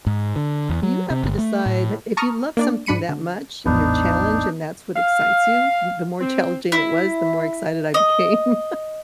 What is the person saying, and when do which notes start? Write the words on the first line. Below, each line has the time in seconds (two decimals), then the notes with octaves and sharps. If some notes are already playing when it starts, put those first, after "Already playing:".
you have to decide, if you love something that much and you're challenged and that's what excites you, the more challenging it was, the more excited I became.
0.07 G#2
0.36 D3
0.69 E2
0.83 F#3
1.10 C3
1.24 G1
1.38 A3
1.66 A2
2.17 A5 A#5 C#6 D#6 F6
2.57 A#3 D4 D5
2.86 G#2 D4 B5 C#7 D#7
3.09 D3
3.66 A1 E2 G#2 B3 D4 D#4
4.97 F5
6.21 C4
6.72 E4
7.94 D#5